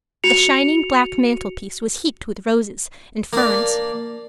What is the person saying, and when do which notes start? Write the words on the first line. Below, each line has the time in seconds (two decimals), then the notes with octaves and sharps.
The shining black mantelpiece was heaped with roses and ferns.
0.24 F#4 C#7 F7
3.33 A#3 D4